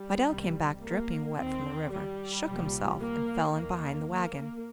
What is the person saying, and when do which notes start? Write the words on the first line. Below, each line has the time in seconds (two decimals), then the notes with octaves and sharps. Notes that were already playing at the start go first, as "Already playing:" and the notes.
Fidel came back dripping wet from the river, shook himself, and fell in behind the wagon.
Already playing: G3
0.27 C2 C3 D#3
0.82 A#3
1.36 D#2 D#3 C4
1.91 G3
2.46 C2 A#2 F3
3.00 A#3
3.55 D#2 D#3 A#3
4.09 A#3